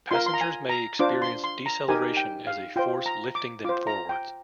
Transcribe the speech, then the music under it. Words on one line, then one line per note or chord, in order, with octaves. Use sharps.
Passengers may experience deceleration as a force lifting them forwards.
F4 A#4 C6
C6
A#5
G#5
A#5
D4 F4 C5 D6
C6
C6
A#5
D#4 G4 A#4 G#5
G5
F5
F4 C5 G5
A#5
D6
F4 C5 D6
A#5
G5